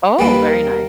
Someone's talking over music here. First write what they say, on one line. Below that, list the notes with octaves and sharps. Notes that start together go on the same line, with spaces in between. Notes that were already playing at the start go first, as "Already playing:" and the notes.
Oh, very nice.
D#2 D#3 G3 A#3 D#4 B4
A#4